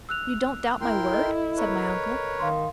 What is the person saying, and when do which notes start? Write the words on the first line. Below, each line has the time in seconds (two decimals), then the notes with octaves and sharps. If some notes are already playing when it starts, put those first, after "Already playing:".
"You don't doubt my word?" said my uncle.
0.09 E6 F#6 F7
0.81 E4 A#4 G5 C6
1.11 A4 D#5
1.57 A#4 B4 C#5
2.40 D#3 F5 C6